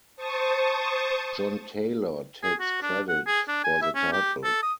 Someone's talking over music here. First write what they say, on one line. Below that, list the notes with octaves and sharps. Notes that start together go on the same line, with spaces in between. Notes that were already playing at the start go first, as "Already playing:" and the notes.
John Taylor takes credit for the title.
C5 A5 C#6 D#6
G#4
F#4
D4
F#5
G#4
D4
G#5
E5
C#4
G4
A4
D#6